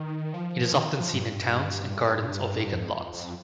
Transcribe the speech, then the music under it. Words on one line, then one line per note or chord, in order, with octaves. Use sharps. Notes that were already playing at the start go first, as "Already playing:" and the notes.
It is often seen in towns, in gardens or vacant lots.
Already playing: D#3
F3
D#3
F3
G2
F2
F2